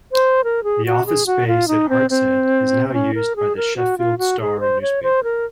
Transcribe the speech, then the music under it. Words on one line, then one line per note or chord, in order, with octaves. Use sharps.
The office space at Hartshead is now used by the "Sheffield Star" newspaper.
C5
A#4
G#4
F#4
G#4
F#4
F4
D#4
C4
C4
C4
C#4
A#4
G#4
A#4
F#4
F4
F#4
G#4
C5
C#5
C5
A#4